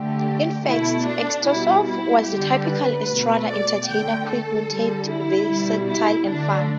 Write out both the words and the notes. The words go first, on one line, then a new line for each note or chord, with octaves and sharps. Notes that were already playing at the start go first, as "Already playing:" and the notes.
In fact, Utesov was the typical "estrada" entertainer - quick witted, versatile, and funny.
Already playing: D3 A3 G4
B2 A3 E4
D4
B2 G3 E4
E4
D3 G3 G4
B4
B2 A3
D5
D3 A3 G5
A4
D3 G3
E4
B2 G3
E4
D3 A3 D4